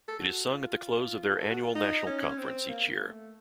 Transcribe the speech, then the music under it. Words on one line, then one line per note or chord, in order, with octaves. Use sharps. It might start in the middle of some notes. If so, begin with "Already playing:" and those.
It is sung at the close of their annual national conference each year.
A4
F#4
F#4
F4
A4
F#4
F4
D#4
C#4
C4
A#3
A#3
A3